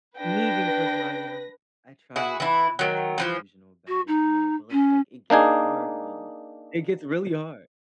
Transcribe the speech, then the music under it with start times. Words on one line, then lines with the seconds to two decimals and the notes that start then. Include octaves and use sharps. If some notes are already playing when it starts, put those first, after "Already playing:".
me being the person I am, I tried not to be delusional about it, you know? But l it's like, it gets hard when it gets really hard
0.19 D4 B4 G5 A#6
2.16 E4 F#4 G#4
2.40 E3 E4
2.79 D#3 F#3
3.18 E3 F3 C5
3.88 F#4
4.08 D#4
4.71 C#4
5.30 A#3 D4 D#4 G#4